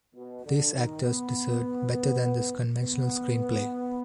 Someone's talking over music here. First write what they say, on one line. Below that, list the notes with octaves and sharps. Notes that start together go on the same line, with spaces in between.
These actors deserved better than this conventional screenplay.
B2
D3
D#3
B3
B3